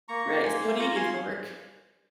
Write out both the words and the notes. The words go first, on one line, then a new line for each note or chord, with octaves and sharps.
Right, so what do you do for work?
A#3 A#5 C#6
A#3
A#3 G#5 C6
A#3
F4 A#5 C#6
C#6
F4 G#5 C6